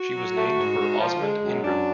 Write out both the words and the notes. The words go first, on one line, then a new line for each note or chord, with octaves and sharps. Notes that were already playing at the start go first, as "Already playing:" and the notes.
She was named for Osmond Ingram.
Already playing: F#4
F#3
A3
G#2
G#2
F3
G#3
F#2
F#2 D4